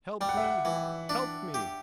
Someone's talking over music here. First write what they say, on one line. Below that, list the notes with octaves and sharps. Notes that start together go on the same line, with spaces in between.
Help me! help me!'
G3 G5
F#5
E5
F#5
E3
D4
G4